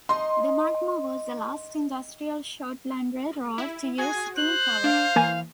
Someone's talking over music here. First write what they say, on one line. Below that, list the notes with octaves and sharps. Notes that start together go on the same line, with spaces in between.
The Magma was the last industrial short line railroad to use steam power.
D#4 D#5 C6
E4
F#4 G#4 G#5
C5 F#6
D4 F5
E3 A#3 G#5